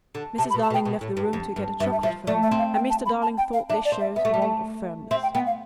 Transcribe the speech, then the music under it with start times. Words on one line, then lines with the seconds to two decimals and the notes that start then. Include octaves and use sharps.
Mrs. Darling left the room to get a chocolate for him, and Mr. Darling thought this showed want of firmness.
0.15 D3
0.38 C3 A5
0.50 B5
0.54 B2
0.62 A5
0.70 B2
0.74 G5
0.85 B2
1.01 A2
1.17 G2
1.33 F2
1.56 G2
1.80 G2 E5
1.92 E5
2.03 F3 E5
2.27 A3 D5
2.43 E5
2.51 C4
2.59 F5
2.74 G5
2.90 A5
3.06 B5
3.22 A5
3.38 G5
3.53 F5
3.69 D4 E5
3.85 D5
3.92 C4
4.01 E5
4.16 B3 E5
4.25 A3
4.34 G3
4.42 A3
5.11 C4 E5
5.23 G5
5.35 B3 G5
5.46 F5